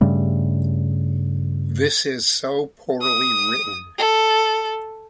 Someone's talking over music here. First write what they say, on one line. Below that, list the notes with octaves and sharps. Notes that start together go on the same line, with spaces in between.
This is so poorly written.
G2 C#3 G3 A3
D#6
A4